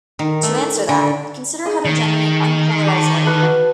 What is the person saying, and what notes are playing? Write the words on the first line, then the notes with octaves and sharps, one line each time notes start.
To answer that, consider how to generate unpolarized light.
D#3
A3
D3
G#4 D#5
D#3
D5 A5
A4 B4 D#5
F#4